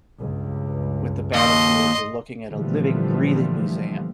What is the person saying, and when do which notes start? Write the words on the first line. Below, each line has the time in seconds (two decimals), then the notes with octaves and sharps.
with the battlefields, you're looking at a living, breathing museum.
0.19 C#2 G2
1.34 D#2 D#5 C6
2.48 A#2 D3 E3 F3 G3 A3